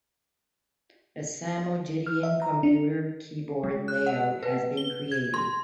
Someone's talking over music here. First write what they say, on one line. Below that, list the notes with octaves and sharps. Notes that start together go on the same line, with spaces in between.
A Samogitian computer keyboard layout has been created.
F6
E5
A#5
D4
G#3
F#6
F#5
B4
G7
G#6
C6